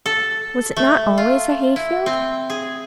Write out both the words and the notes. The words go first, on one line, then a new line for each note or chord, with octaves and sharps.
Was it not always a hay-field?
A4
A3
F4
E4
C4
G#4